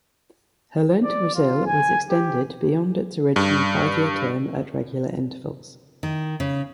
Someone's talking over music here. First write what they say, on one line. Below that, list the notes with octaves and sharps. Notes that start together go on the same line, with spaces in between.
Her loan to Brazil was extended beyond its original five-year term at regular intervals.
D5
F4
G#5
G4
G2
D#3
C#3